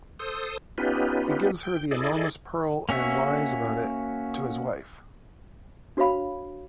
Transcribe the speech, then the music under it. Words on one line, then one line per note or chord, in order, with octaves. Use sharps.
He gives her the enormous pearl and lies about it to his wife.
A4 C5 D#6
B3 C#4 D#4 F4 G4 B4
G5
E4 G#4 A4 D5 D#5
A#3 C#4 F#4 E5
D4 F#4 C5 C#5 F5 B5